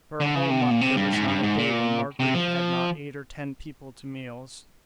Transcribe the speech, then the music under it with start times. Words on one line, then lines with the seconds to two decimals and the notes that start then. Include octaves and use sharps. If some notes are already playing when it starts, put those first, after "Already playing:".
For a whole month there was not a day when Marguerite had not eight or ten people to meals.
0.20 D3
0.35 C#3
0.50 C3
0.61 B2
0.71 A#2
0.81 C3
0.96 G2
1.12 G#2
1.27 G2
1.43 G#2
1.58 A#2
2.20 C3
2.34 F3